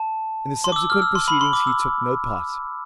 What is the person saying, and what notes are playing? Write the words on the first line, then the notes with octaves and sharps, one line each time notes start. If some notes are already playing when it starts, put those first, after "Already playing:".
In the subsequent proceedings he took no part.
Already playing: A5
C6
D6
E6
F6
E6
C6
B5
C6
D6
E6